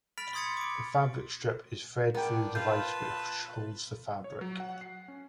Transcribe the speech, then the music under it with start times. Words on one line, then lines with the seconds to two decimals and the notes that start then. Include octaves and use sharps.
The fabric strip is fed through the device, which folds the fabric.
0.18 B5 F6 A6 B6 D7 F7
0.33 B5 C6 D#6 G#6 A6 C#7
0.57 D6 D7
2.15 B3 D4 A#4 D5 G5
2.55 F4 B4 A5 C6 G6
4.24 C#5
4.41 F#3
4.60 F#5
4.81 C7
5.08 C#4